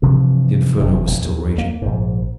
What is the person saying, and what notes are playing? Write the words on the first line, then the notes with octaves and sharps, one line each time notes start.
The inferno was still raging.
G2 C3 E3 F3
F#1 E2 C3 E3
D#1 A#1
D#2
A#3
A#1 G#2